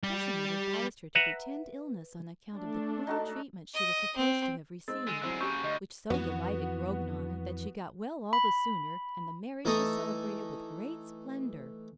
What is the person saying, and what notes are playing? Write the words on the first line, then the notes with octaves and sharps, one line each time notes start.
Percinet advised her to pretend illness on account of the cruel treatment she was supposed to have received; which so delighted Grognon, that she got well all the sooner, and the marriage was celebrated with great splendour.
G3 G4
B4 E5 F#5 A#5
A3 D4
D#4 F#4 A4
D#5
C4
G#3 C4 D#4 E6 A6
D3 G#3
D3 F#3 G#3 C4 E4
C#3 F#3 C#4 G4 C#6 G6
D2 D#5
F2 E3 B3 F#4
B5
E3 A3 D#4 A4 A#5 D#6